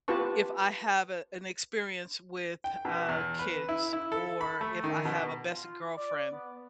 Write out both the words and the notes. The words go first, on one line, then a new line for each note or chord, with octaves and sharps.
if I have, uh, an experience with, uh, kids or if I have a best girlfriend,
F4 G4 B4 A5 C#6
G5
B2
E2
B4
E4
E4
A4
B5
A3
D#3
B2
F4
D5
B3